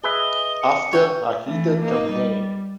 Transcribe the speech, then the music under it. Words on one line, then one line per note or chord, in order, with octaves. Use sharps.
After a heated campaign.
G#4 B4 D#5 E5 G7
C#7
D3 C#5 G5
E3 A3
A#3 D#4
G3